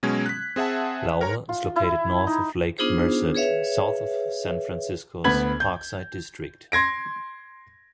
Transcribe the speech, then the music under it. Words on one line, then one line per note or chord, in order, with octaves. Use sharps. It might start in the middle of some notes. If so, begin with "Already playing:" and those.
Lowell is located north of Lake Merced, south of San Francisco's Parkside District.
B2 F#3 G#3 C#4 G#6
F#6 B6
C4 G#4 E5 F#5 A5
A#4 C#5 A#5
F4
E4
D#4
B3 D4 D#4 F4 G#4 C5
G#4 B4 C#5 E5 F5
D2 B3 B5 G#6 F#7
G6
C6 G#6 A#6 D7